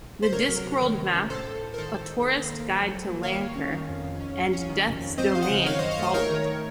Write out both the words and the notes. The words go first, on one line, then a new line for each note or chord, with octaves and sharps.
"The Discworld Mapp", "A Tourist Guide to Lancre" and "Death's Domain" followed.
C5
C3 A#4 C#5
F#3
C3
D#3
D#3
C#4
A2 A4 C5
A2
A2
A#4
D#3 A4 C5
D#3
D#3
A#3
D#3
A#3
F#3
F#3
A#3
D#3 C#5 F5
A#3
C#4
D#3
F2
F2
C#4
C#4
C#4
D#3
F2
F2
C4 C5 D#5
F3 F5
D#5 F#5
C#3
D#3 C#5 F5
F#2 C5 D#5
C#5 F5
A3 C5 D#5
D#4 A#4 C#5
D#3
D#3